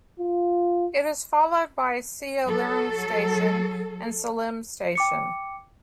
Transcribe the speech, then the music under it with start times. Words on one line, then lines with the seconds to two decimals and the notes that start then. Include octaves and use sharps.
It is followed by Seolleung Station and Sillim Station.
0.19 F4
2.46 F#3 A4
4.95 G5 D6 C#7